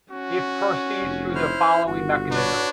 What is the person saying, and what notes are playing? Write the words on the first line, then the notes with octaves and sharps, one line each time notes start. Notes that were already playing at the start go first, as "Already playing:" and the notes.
It proceeds through the following mechanism.
C#4 F#4
F1
E4 C5 F6
G1 F#4
D4 B4 C#5